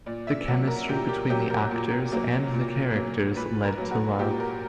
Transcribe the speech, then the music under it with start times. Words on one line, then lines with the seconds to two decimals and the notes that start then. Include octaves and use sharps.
The chemistry between the actors, and the characters, led to love.
0.06 A#2 D5
0.27 E5
0.48 F#3 A#3 F#5
0.67 A#4
0.88 A#2 G4
1.09 G4
1.30 F#3 A#3 G4
1.50 A#4
1.71 A#2
2.12 F#3 A#3
2.54 A#2
2.95 F#3 A#3
3.36 A#2 B4
3.64 A#4
3.78 F#3 A#3
3.91 F#4
4.19 A#2 G4
4.40 A#4